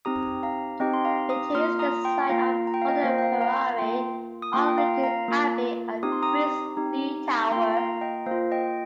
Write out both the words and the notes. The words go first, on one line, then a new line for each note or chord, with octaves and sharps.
It is the site of Hulne Priory, Alnwick Abbey, and Brizlee Tower.
C4 D#4 G4 A#5 D#6
F5 A#5
C4 D#4 G4 D#5 G5
C6
F5 A#5
A#5 D#6
A#3 F4 C6 F6
A#5 D#6
G5 C6
A#3 F4 F5 A#5
A#5
G5
F5
D#5 G5
A#3 F4 C5 F5
G5
F5 A#5
F5 A#5
A#3 F4 G5 C6
D#6
A#3 F4 G5 C6
G5
F5 A#5
F5 A#5
A#3 F4
C4 D#4 G4 D#6
C6
A#5 D#6
C4 D#4 G4
A#5
A#3 F4 G5 C6
F5 A#5
D#5 G5
A#3 C5 F5
F4
D#5 G5